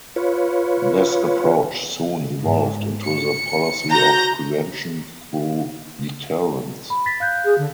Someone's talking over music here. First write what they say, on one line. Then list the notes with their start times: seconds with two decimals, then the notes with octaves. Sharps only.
This approach soon evolved into the policy of Prevention through Deterrence.
0.16 F4 B4 C#5
2.39 G#2
3.02 C#7
3.90 F#4 A#5 G6 A#6
6.90 B5
7.06 A6 B6
7.20 F5 F#6 G6
7.44 G#4
7.58 D3